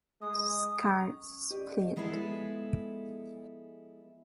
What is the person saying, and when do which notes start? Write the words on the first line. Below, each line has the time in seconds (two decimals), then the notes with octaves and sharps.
The scar is split.
0.21 G#3 D#6
1.00 C#4
1.51 G4 D5 D#5
1.96 F3 G#3 B3 E4 G#4 A4